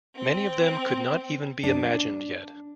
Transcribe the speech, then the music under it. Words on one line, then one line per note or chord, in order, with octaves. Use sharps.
Many of them could not even be imagined yet.
C4
D4